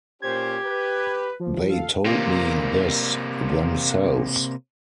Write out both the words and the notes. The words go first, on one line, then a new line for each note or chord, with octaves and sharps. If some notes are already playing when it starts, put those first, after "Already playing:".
They told me this themselves.
A#2 C#4 G4 C5 G#6
B4
F3
A4 F5
C3 A#3